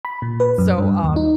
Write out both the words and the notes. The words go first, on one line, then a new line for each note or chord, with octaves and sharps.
So, um
B5
A#2
B4
F#2
G2
D#2
D#4